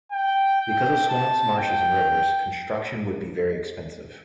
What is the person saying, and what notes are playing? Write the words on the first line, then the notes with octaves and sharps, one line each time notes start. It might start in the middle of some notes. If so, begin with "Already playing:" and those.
Because of swamps, marshes, and rivers, construction would be very expensive.
G5
G5
A5
G5